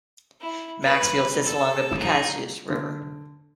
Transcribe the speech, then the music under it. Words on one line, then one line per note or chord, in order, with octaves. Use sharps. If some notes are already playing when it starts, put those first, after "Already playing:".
Maxfield sits along the Piscataquis River.
E4
B4
A4 E6
D#4 G#4
D3